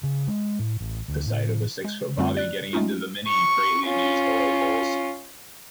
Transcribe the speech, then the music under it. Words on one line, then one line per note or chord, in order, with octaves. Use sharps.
The sight of a six-foot bobby getting into the Mini greatly amused the locals.
C#3
G#3
A2
A1
D2
A2
G#3
F#2 D3 G3 A3 C4 F4
D5 F#6
G#3 A3 C#4 D#4 F4
C#6
C#4 F4